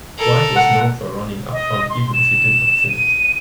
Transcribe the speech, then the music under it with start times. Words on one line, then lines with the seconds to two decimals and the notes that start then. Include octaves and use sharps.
White was known for running up front even if he did not finish.
0.18 A4 A#4
0.56 F#5
1.52 D#5
1.90 C6
2.13 E7
2.89 D#7